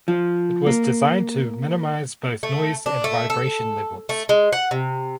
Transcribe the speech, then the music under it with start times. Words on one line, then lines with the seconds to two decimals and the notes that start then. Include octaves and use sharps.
It was designed to minimise both noise and vibration levels.
0.08 F3
0.66 A#3
2.43 A3
2.86 D4
3.04 A3
3.30 A4
4.09 A3
4.29 G#3
4.53 F#5
4.71 C3